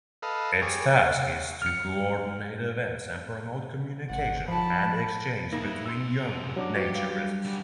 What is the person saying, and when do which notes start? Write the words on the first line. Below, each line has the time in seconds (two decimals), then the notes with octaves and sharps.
Its task is to coordinate events and promote communication and exchange between young naturists.
0.22 A4 B4 D#5 F5
0.62 G4 G#4 C#5
1.62 F6 C#7
4.10 G#1 F#5
4.48 F3 A5 B5
5.53 A#3 D#4 E4 G#4
5.86 F#2 C6 E6
6.56 F#3 D4 D6
6.75 F#4 G4 B4 E5
6.95 G3 F5
7.45 D3 G3